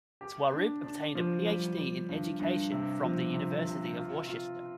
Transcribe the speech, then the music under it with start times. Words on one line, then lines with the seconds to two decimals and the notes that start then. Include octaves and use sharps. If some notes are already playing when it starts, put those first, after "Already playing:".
Swaroop obtained a Ph.D. in Education from the University of Worcester.
0.21 G4
0.52 D4
0.84 D4
1.15 F3
1.46 G3
1.77 G3
2.09 G2
2.40 G2
2.72 C3
3.02 F3
3.33 C3
3.65 C3
3.96 F4
4.27 F4